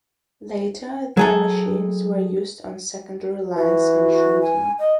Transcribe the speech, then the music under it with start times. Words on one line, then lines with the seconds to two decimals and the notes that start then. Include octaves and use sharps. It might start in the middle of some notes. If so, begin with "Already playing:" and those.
Later the machines were used on secondary lines and shunting.
1.17 F#3 G#4 A4
3.57 E3 F#4
4.12 F#4
4.42 G#5
4.79 D#5